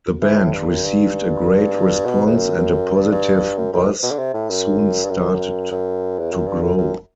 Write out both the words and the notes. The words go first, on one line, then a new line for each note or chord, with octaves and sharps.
The band received a great response and a positive buzz soon started to grow.
E3
A2
G2
F#2
G2
B2
E2
F#2
G2
G2
F#2
F#2
B2
D3
C3
A2
F#2
G2
F#2
F#2
E2
F#2
G2
F#2
F#2